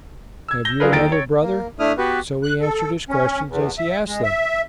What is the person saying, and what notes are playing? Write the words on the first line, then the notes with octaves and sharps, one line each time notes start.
Have you another brother?' So we answered his questions as he asked them.
E6 G#6
G6 A#6 G7
F#3 D4 F4 G#4 A#4 B4
D#2 D#3 A6 D7
C#5
A#3
A3 D4 E4 D#6 F6
B3 F#4 G4 B4
F#6
A4
C#4
E2
E5
G#3
E5